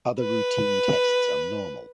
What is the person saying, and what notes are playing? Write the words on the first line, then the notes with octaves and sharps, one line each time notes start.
Other routine tests are normal.
B4